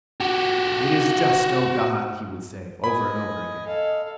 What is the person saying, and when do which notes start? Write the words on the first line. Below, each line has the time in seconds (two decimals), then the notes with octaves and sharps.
"It is just, O God!" he would say, over and over again.
0.20 F#4 G4
2.84 D#5 G#5 B5
3.67 A4 D#5 F5